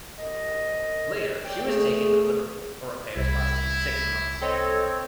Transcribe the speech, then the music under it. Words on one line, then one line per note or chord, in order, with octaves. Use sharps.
Later she was taken to Liverpool for repairs lasting six months.
C2 D#5
C#5 D5 G5
D3 A3 G#4
C2 E4
C4 A4 C#5 D#5